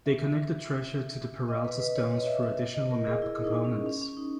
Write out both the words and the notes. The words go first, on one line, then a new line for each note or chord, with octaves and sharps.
They connect the treasure to the Peralta Stones through additional map components.
E5
D#5
B4
B4
C#5
D#5
E5
E5
D#5
A#4
G#4
E4
D#4
C#4
C#4
C#4
D#4